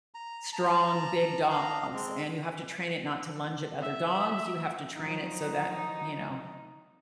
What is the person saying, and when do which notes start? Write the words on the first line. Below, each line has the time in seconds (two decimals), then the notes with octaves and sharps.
strong, big dogs, and you have to train it not to lunge at other dogs, you have to train it so that, you know,
0.14 A#5
0.53 A5 A#5
1.50 D4 D#5 F5 A#5
1.93 G#3 C4
3.81 E5
4.98 D#3 F3 F#3 D#4